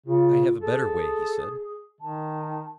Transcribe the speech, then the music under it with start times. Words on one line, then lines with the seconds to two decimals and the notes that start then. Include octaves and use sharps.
"I have a better way," he said.
0.06 C#3 F4
0.61 G#4 A4
2.01 D#3 A5